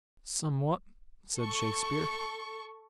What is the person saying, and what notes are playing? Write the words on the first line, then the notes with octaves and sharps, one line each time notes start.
"Somewhat," said Shakespeare.
A4 C#6